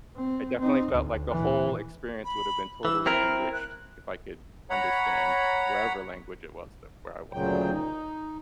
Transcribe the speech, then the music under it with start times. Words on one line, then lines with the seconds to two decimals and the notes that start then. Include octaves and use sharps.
I definitely felt like the whole experience would have been totally enriched if I could understand whatever language it was that where I was.
0.17 C4
0.59 C4 D#4
0.93 D2
1.30 A#2 E3
2.25 B5
2.85 E3 E6
3.06 C4 E4 A#4 F6
3.53 F#6
4.70 C#5 F#5 A#5 B5
7.33 D2 A#2 C#3 F#3 G5
7.70 D#4